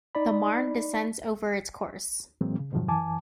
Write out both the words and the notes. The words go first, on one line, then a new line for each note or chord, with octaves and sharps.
The Marne descends over its course.
D#4 D5 B5
A2 E3 F#3 G#3 A#3 C4
C#3
F2 G#2 C3 D#3 F3 F#3
F#2 E3 G#5 A5 D6